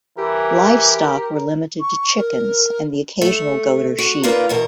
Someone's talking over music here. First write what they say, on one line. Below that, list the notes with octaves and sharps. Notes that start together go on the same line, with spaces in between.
Livestock were limited to chickens and the occasional goat or sheep.
E3 G4 A#4
C#6
A#4
A3
F#4
A#3 D#4 F4 A#4 B4 D5
E2 B2 A#4